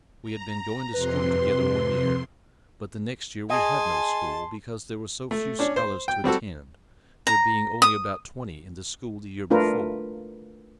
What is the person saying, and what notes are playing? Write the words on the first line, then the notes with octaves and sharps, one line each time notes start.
We had been going to school together one year; but the next year we had no school, because there were so few scholars to attend, there being only about twenty in the school the year before.
A#5
F2 C3 B4 C6
G#4 D#5 G#5 A5 C6
A3
C#4 D4
C5
G5
G3 C4 F#4 A4
A#5
D#6
A3 D4 F4 A#4 B4